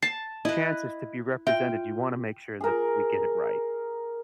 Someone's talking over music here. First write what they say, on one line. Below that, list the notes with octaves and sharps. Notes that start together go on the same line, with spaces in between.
chances to be represented, you wanna make sure that we get it right."
A5 C7
E4 B4 D#5
F4 E5 G5
G#4 A#4